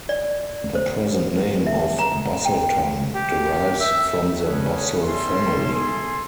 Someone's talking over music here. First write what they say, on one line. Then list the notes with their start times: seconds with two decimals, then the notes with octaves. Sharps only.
The present name of "Busselton" derives from the Bussell family.
0.09 D5
0.75 C5
1.66 E5
1.99 A#5
2.45 G5
3.14 G4
3.80 E5
4.40 C#4 F#4 G#4 A4 B4 C#5
5.02 C#4 G4 A4 E5 C6
5.72 G#4 A4 C6